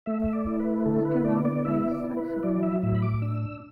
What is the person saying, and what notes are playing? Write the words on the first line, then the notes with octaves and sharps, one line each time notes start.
Scavone plays saxophone.
A3 E5
E5
D5
E4
B4
D3 A4
B4
B3 D5
D5
E4 E5
D5
E4
B4
F#3 D5
E5
A2 E5
B5
D6
D4 E6